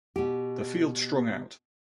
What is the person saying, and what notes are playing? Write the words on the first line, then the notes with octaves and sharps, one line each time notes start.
The field strung out.
B2 G4